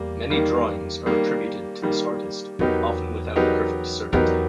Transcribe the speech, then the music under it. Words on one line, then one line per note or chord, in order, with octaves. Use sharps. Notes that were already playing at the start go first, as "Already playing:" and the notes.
Many drawings are attributed to this artist, often without perfect certainty.
Already playing: E2 G3 A#3
D#3 G3 A#3
D#3 G3 A#3
D#3 G3 A#3
E2 F#3 B3 D#4 G4 A#4
F#3 B3 D#4 G4 A#4
E2 F#3 B3 D#4 G4 A#4